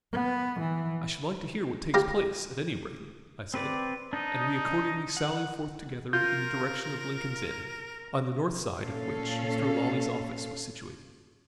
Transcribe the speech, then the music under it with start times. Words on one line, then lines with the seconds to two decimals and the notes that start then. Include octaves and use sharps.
"I should like to hear what takes place, at any rate," I said, and we accordingly sallied forth together in the direction of Lincoln's Inn, on the north side of which Mr. Lawley's office was situated.
0.13 B3
0.60 E3
1.94 G4 F5 A#5
3.54 C4 B4 D5
4.13 D4 D#4 D#5
5.17 F#5
6.13 F4 A#4 G6
8.81 A#2 C#4 A4 F5